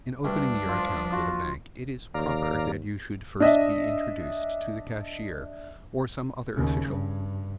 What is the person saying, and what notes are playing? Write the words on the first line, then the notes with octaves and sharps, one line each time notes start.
In opening your account with a bank it is proper that you should first be introduced to the cashier, or some other official.
D2 G2 D4
F3 F4
F4 F#4
D#2 D5 F5 A#5
D4 D#5 E5
D#2 C#3
G2